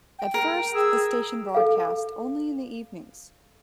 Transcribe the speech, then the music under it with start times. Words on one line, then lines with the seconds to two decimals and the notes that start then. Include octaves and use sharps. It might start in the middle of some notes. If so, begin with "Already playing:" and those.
At first, the station broadcast only in the evenings.
0.19 G5
0.34 A#4
0.74 G#4 E6
1.55 A4 F5